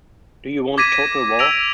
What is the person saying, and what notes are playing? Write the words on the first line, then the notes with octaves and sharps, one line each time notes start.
Do you want total war?
D6 G#6 A#6 B6 D#7
E6 A#6 D7 F7